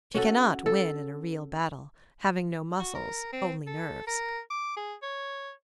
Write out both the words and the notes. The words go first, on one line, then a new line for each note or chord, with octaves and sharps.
She cannot win in a real battle, having no muscles, only nerves.
C#4 F#4 A4
A4
F#4
A#4
C4
A4
A#4
D6
G#4
C#5